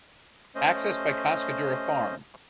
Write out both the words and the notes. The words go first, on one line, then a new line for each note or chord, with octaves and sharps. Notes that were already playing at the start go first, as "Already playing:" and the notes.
Access by Cascadura Farm.
A3 C#4 C5 D#5